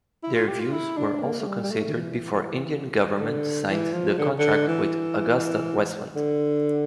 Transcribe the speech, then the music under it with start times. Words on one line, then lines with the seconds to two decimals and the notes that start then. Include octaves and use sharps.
Their views were also considered before Indian Government signed the contract with Agusta Westland.
0.23 E4
0.35 F4
0.48 G4
0.60 F4
0.72 E4
0.97 D4
1.22 A#3
1.40 A3
1.46 G3
1.63 G3
1.71 A3
1.96 E3
3.19 D3
3.69 E3
3.93 F3
4.18 D3
4.39 D3
4.68 E3
6.16 D3